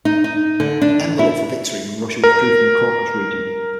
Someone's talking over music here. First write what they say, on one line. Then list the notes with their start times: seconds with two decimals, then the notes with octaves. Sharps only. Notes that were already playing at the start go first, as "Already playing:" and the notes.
Enver looked for victory when Russia withdrew from the Caucasus region.
0.05 D#4
0.24 D#4
0.60 D3
0.82 D4
1.19 E4
2.24 A#4